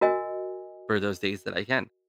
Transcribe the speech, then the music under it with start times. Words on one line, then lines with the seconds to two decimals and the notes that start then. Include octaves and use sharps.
for those days that I can.
0.01 F#4 A#4 D#5 G#5